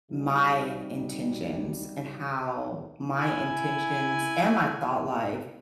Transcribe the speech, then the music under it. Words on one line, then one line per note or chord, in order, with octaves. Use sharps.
my intentions, and how my intentions and my thought life
C3 G3 D#4 F#4
E4 G#5